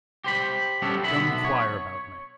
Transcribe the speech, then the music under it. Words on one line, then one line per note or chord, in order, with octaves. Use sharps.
Don't inquire about me.
G4 C5 B5
G3 B3 C#4 G4 A4
B1 D3 B3 E5 B5
C#5